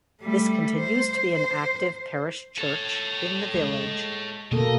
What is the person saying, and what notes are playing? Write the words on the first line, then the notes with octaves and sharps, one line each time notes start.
This continues to be an active parish church in the village.
G3 A3
C5
C5
A4 C#5
G#3
B2 A#3 A4 D#5